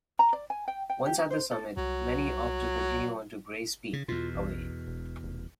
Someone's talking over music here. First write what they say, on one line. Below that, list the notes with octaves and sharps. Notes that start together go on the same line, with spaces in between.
Once at the summit, many opt to continue on to Grays Peak, away.
A#5
D5
G#5
G5
G5
G4
D#4
C5
A4
C2 F#3
C#3
E2 B2 F4
A1
E1
F1